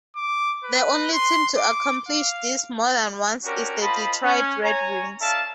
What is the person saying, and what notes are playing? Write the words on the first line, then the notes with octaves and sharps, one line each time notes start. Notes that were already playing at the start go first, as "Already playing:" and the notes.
The only team to accomplish this more than once is the Detroit Red Wings.
D6
B4
C6
D6
F5
C#4 D4 F#4 G4 A#4
C4 F4 D#5 A5 B5
C#4
C#5 G#5 A#5
D#4 A4 D5 E5 F5 A5